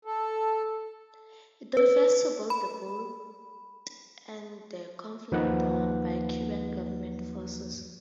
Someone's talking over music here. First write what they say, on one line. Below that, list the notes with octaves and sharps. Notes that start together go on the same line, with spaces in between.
It refers to both the boat and the conflict won by Cuban government forces.
A4
B4
B5
D#2 F3 A#3 D#4 B4 F#5